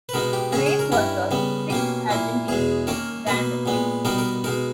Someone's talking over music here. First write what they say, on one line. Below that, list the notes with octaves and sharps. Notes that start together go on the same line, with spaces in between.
The race was the sixth Argentine Grand Prix.
B4
B2 G#3 B3 D#4 A#4
G4
C#3 G#3 C#4 G#4
G#4
A#4
G2 G3 C#4 E4 A#4
C#3 G3 B3
B2 A#3 C#4 G4
A#2 A#3 E4
E2 B2 G#3 G#4
D#3 A#3 C#4 A#4
B2 A#3 D#4 B4
A#2 G#3 B3
B2 G3 B3 D#4 A#4
A#4
B2 G#3 D#4 A#4